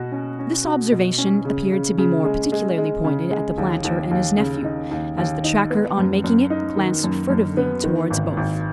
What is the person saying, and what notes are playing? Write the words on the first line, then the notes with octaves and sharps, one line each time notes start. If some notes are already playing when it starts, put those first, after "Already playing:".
This observation appeared to be more particularly pointed at the planter and his nephew; as the tracker, on making it, glanced furtively towards both.
Already playing: B2 F#4
C#4
C#4
F#4
B2
C#4
C#3
C#3
C#3
G#3
G#3
G#3
C#3
G#3
D#2
D#2
D#2
C#3
D#4
D#2
D#2
D#4
B3
F#2
F#2
D#4
D#3
F#2
F#2
B3
D#3
G#1
G#1